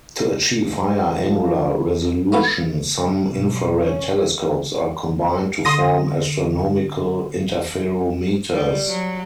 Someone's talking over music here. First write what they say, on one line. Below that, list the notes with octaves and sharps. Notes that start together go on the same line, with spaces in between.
To achieve higher angular resolution, some infrared telescopes are combined to form astronomical interferometers.
F3
A3 B3 F#4 A4 B4
B1
C#4
D3 C6 D#6 A#6
G3
F#3